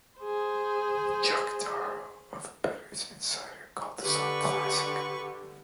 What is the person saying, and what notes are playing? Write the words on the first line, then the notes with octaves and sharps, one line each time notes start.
Chuck Darrow of "Bettors Insider" called the song "classic".
G#4 C5
D3 G4 B4 C#6